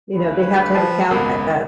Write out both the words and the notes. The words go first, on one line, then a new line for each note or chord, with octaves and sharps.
You know, they have to have a count, ah, uh,
D2 C#3 B4
F3 F5 G5 A5
G#1 C#2 F#2 B3 A#4